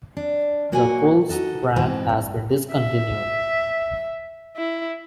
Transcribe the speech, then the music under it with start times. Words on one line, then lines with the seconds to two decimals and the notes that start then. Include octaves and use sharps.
The Puls brand has been discontinued.
0.17 D4
0.72 A#2 A#3 F#4 C#5 F#5 G#5
1.29 D#4 F#4 A4
1.76 G#2 E3 C4 B4
2.09 G2
2.73 E5
4.57 E4